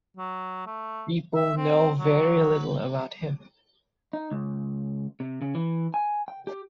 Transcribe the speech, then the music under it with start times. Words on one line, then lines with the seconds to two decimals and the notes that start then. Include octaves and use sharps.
People know very little about him.
0.17 F#3
0.66 A3
1.35 E5
1.57 C4
1.99 F#3
4.13 D#4
4.31 C#2
5.20 C3
5.42 C#3
5.55 E3
5.94 G#5
6.28 G5
6.47 G4